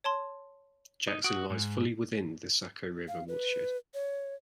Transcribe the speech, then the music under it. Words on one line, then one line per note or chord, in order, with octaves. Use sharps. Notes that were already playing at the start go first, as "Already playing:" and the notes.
Jackson lies fully within the Saco River watershed.
C#5 A5 C6
D#4
F#4 D#6 D7
G#2
F5
B4
C#5